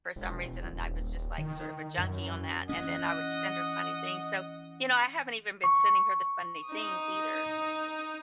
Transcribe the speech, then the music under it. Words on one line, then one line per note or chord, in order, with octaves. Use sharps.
for some reason and I was just, like, sort of a junkie on that, and then I would send her funny things, so, you know, I haven't even been sending her the funny things either
E1
D#1
D#3
F#2
E3 C#4 D#5 F#5
C#6
D#4 D#6